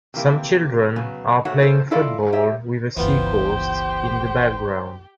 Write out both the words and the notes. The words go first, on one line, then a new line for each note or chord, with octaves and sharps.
Some children are playing football with a seacoast in the background.
C3 E3 A#3 G4
C#3 F#3 B3
A#2 A3 F#4 C#5 F#5
A4 C5
E4 F4 A4 D5 D#5 F5
G4 C#5 D#5 E5
G1 C#2 E3 B3 F4 G4 C5 G5